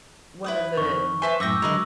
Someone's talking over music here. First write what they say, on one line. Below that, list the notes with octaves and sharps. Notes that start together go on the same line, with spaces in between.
one of the
E4 B4 D#6
F2 D#3 C#6
B4 C5 E5 G#5 A5
F#2 A2 G5 C#6 D6 E6 A#6
D3 F#3 G#3 A#4 B4 D#5